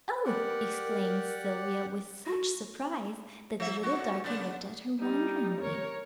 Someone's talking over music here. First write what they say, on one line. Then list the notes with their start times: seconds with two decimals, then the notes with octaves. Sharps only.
"Oh!" exclaimed Sylvia with such surprise that the little darky looked at her wonderingly.
0.26 G4 A#4 D5 F#5
2.26 F#4
3.60 F3 E5
3.83 D3 F3 F#4
4.24 C#3 B3 D4
4.98 G3 D#4
5.61 A#4 C#5